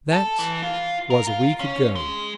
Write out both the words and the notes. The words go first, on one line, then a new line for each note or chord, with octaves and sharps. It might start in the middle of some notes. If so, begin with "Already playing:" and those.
That was a week ago.
A4
E3
F4
A#4
F4
C#4
G#3